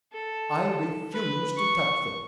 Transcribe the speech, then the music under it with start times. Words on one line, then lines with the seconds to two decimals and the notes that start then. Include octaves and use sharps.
"I refuse to touch them."
0.13 A4
1.13 B4
1.57 C#6